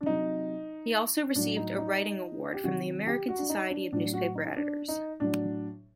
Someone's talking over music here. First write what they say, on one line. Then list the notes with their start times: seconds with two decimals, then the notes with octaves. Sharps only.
He also received a writing award from the American Society of Newspaper Editors.
0.01 D4
0.06 C3 F#3 D#4
1.35 A2 F#3 D4
1.56 D#4
1.78 D#4
2.54 G4
2.64 C3 D#3 F#3 F#4
3.07 G4
3.28 F#4
3.39 D4
3.49 D#4
3.70 D4
3.92 A2 F#3 D4
4.13 F#4
4.35 D#4
4.57 D4
4.88 D#4
5.20 A2 F#3 D4